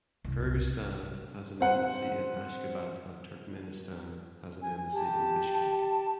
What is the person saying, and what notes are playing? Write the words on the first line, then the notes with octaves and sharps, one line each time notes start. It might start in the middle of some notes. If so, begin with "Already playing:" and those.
Kyrgyzstan has an embassy in Ashgabat and Turkmenistan has an embassy in Bishkek.
F#1 C2
C4 F#5
G#5
G4 A5